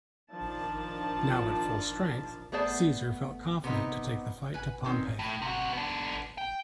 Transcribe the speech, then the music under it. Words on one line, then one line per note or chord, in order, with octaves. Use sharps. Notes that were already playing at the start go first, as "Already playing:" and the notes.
Now at full strength, Caesar felt confident to take the fight to Pompey.
D#3 F3 D4 A5
A3 B3 G#4 C5 D5 A5
C3 B3 D#4
B4 G#5
D#3 C4 C#4
A2
C3 F#4
B3 D4
G5